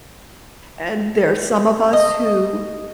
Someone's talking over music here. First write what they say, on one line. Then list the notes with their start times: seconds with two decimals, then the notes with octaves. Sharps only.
and there are some of us who
1.93 D#5